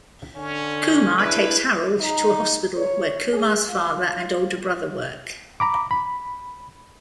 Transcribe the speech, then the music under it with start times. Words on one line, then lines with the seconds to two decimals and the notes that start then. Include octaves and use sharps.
Kumar takes Harold to a hospital where Kumar's father and older brother work.
0.36 D3 C#4
1.20 G#3 D4 E4 B4
2.00 D#4
2.77 C#5
3.33 G#4
3.69 F4
5.60 A#5 B5 D6
5.91 B5